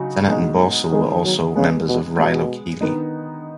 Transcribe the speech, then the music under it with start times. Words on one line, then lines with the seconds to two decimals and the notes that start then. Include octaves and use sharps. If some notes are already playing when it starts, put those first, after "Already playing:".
Sennett and Boesel were also members of Rilo Kiley.
Already playing: C#3 F#3 D#4 F#4
0.30 B2 G#3 D#4
0.92 D#3 G#3 B3 G#4
1.24 F#3
1.55 C#3 G#3 B3 G#4
1.87 B2
2.18 B2 G#3 B3 G#4
2.81 D#3 B3 D#4